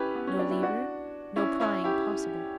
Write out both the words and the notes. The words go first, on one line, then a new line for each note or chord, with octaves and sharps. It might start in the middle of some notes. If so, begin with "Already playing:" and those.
No lever; no prying possible.
Already playing: C#4 E4 G4 B4
B3
C#4
D4
E4
D4 F#4
C#4 E4
C#4 E4
E4 G4